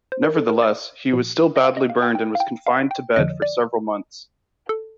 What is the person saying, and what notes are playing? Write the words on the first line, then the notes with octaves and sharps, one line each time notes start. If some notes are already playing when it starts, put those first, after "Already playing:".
Nevertheless, he was still badly burned and was confined to bed for several months.
C5
A#4
A4
A#4
D5
A#2 F3
D#5
F5
D#5
F5
G5
G5
F5
G5
F5
G5
F2 D3 F3 D#5
D5
A4